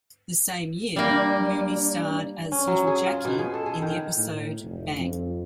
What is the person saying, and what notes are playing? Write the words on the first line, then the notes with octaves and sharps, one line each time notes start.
The same year, Mumy starred as little Jackie in the episode Bang!
G3 A#3 D4
C#4
F#3
G#4
F4
B2
G#4
A4
G#4
D#3
A2
F1
F2